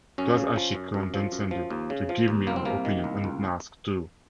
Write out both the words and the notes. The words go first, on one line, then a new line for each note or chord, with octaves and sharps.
Twice has she condescended to give me her opinion unasked too!
F#2 C#4
C#3
F3
F#2
F#2
F3
F#2
F3
D#2
C#3
F3
D#2
C2 A#3
C4
C3 A#3
D#3
C2
C#2